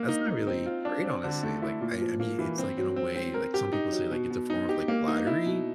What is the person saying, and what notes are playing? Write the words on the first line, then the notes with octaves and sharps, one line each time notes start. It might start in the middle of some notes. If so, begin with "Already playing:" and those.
that's not really great, honestly. Like, I I mean, it's, in a way, like, some people say, like, it's a form of, like, flattery,
Already playing: A#3
D#4
D#4
C4
F4
D4
C4
D3
A3
E4
A#2
F3
A#3
E3
C4
F#3
C4
C4
A#4
G4
D#4
F#3
B2
B2
D#4
G4
A#3
D#4
E4
B2